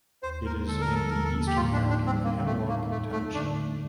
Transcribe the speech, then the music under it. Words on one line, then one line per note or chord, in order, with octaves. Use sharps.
It is in the eastern part of Hemlock Township.
D#2 C5
A#3 A#4
D3 A4
A#4
F3
A4
D#2 A#4
A4
A#3
G4
A2 F4
D4
D#4
D4
G3 C4
A#3 C4
A2 A3
A#3 D#4
F2 A3
A3 D#4
D3 D4
A3